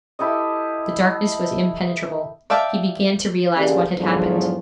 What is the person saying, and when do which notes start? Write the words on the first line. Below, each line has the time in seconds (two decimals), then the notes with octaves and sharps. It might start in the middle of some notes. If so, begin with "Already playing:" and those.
The darkness was impenetrable. He began to realize what had happened.
0.19 E4 G4 A4 D#5
2.50 D5 E5 F5 G5 A5
3.56 D3 A#3 C#4 G4 G#4 D5
3.98 E2 G#2 D3 F3 F#3